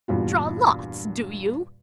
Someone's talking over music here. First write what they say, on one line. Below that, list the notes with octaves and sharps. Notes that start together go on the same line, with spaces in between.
Draw lots, do you?
E2 G2 A#2 F#4